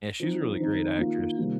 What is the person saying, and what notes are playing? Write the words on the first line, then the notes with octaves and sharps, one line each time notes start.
Yeah, she's a really great actress.
F3 C4 D#4
D#3 C4 D#4
D#3 A#3 F4
C3 D#3 G3 A#3 F4